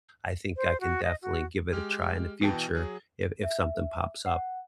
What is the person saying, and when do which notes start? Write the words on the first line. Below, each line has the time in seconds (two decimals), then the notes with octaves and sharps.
I think I can definitely give it a try in the future if if something pops up."
0.57 C5
0.81 F#4
1.03 D#5
1.22 F#4
1.72 G#3 G4 F6
2.41 B2 E3 G5 A5
2.75 F#3 G#4
3.43 E5
4.26 F#5